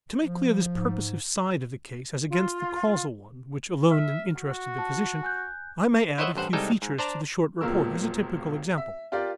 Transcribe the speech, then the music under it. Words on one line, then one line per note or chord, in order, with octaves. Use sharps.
To make clear this purposive side of the case as against the causal one which alone interested the physician, I may add a few features to the short report as a typical example.
F3
G#2
F4
E5 F6
F#4
A5
G#5 F#6 G6
E4 C5 C#5 D#5 E5 F#5
A1 G2 C5 F#5
C2 G3 G#3 D#4 A4 G5
G#2
D4 C5 D5 A5 A#5
E1 C#2 A#2 A#4 E6
E5
F4 G4 A#4 D5